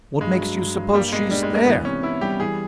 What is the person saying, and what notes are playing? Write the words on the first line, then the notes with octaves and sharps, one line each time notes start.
"What makes you suppose she is there?"
G2 G#3
F#3
G2
G2
G3 A#3
B2 G#3
G3 D4
G#3
D4
A#3
E3 B3
C3 C#4
B3 E4
G3 G4
E3 G#4